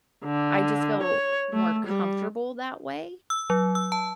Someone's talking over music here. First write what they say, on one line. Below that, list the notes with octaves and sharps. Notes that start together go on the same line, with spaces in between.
I just feel more comfortable that way.
D3
C#5
A3
G3
E6
F#3
E6
A5